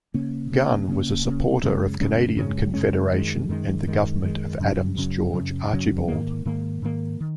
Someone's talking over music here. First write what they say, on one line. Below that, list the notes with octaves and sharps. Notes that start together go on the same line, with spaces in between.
Gunn was a supporter of Canadian Confederation and the Government of Adams George Archibald.
C#3 A#3 C#4
C#3 A#3 C#4
C#3 A#3 C#4
C#3 A#3 C#4
F#2 C#3 G#3 C#4
F#2 C#3 G#3 C#4
F#2 C#3 G#3 C#4
F#2 C#3 G#3 C#4
F#2 D#3 G#3
F#2 D#3 G#3
F#2 D#3 G#3
F#2 D#3 G#3
F#2 C#3 F#3 C#4
F#2 C#3 F#3 C#4
F#2 C#3 F#3 C#4
F#2 C#3 F#3 C#4
G#2 D#3 A#3
G#2 D#3 A#3
G#2 D#3 A#3
D#3